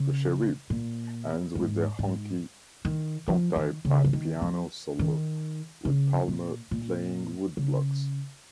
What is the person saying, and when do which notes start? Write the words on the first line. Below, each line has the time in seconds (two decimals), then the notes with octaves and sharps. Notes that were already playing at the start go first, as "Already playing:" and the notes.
"The Sheriff" ends with a honky tonk-type piano solo with Palmer playing woodblocks.
Already playing: C#3
0.70 A#2
1.55 G#2
1.99 G#2
2.85 D#3
3.28 F3
3.56 D#3
3.85 C#3
4.04 F3
4.13 D#3
4.42 F3
4.99 D#3
5.85 C#3
6.28 A#2
6.71 A#2
7.57 C#3